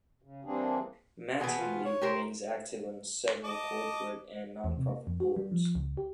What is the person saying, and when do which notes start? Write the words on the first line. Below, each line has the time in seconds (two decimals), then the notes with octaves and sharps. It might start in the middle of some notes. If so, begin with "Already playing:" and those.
Mattingly remains active on several corporate and nonprofit boards.
0.22 C#3
0.45 E3 G3 A#3 C4 D4 G#4
1.40 B2 E3 B3 G#4
1.59 F4
1.85 C#5
2.01 G4 A#4 C5
3.44 D#5 A5 D6
4.64 E2
4.78 C3
4.89 A#3
5.07 F2
5.20 F#4
5.36 G3
5.52 F3
5.75 C#2
5.97 G4